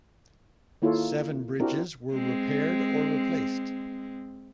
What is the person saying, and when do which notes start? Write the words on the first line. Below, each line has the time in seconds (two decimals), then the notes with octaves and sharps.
Seven bridges were repaired or replaced.
0.82 D#3 A#3 E4 F4 A4 C#5
1.60 C4 D4 E4 F#4 G4 A#4
2.13 G#3 C4